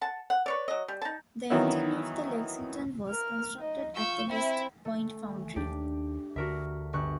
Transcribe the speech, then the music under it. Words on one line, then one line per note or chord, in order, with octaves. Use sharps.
The engine of the "Lexington" was constructed at the West Point Foundry.
F#5 A5
F#5
B4 C#5 D5
F#3 D#5
G3
D#4 A5
D#3 E3 F#3 B3 E4
A#4 F6
D#4 D#5
F4 C#6 E6 G6
C4 E4 E5
A3
D#2 D4 G4
D2 D3 F#4 A#4 E5
G1 C#6 F#6